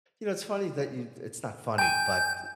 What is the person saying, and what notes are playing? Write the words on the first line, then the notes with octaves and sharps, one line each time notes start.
You know, it’s funny that you it’s not funny, but
G5 G#5 G6